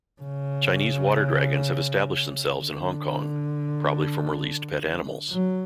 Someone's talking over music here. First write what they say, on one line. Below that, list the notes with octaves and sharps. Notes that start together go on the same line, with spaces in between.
Chinese water dragons have established themselves in Hong Kong, probably from released pet animals.
C#3
D3
F#3